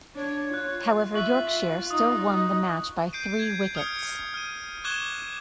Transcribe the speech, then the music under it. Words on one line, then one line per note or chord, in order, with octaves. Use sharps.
However, Yorkshire still won the match by three wickets.
D4 C#5
F4 F#6
E5 C#6 F#6 F#7
D#4 D#6
D#6
G6 C7 D7 D#7
G#6
D#6 F6 G#6 C#7
F6 D#7
C#6 D6 F#6 G#6 E7 G7